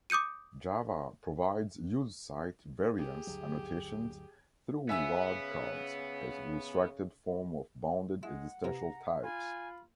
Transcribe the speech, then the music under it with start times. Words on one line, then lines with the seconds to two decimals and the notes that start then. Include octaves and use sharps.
Java provides use-site variance annotations through wildcards, a restricted form of bounded existential types.
0.10 D6 D#6 G6 C#7 D#7
2.96 G4 G#4
3.27 G1 D2 F#3
4.89 C#3 B3 E5 G#5 E6
8.23 G#3 E4 F#5
8.64 C3 E3 A#5
9.23 F4 G#5 B5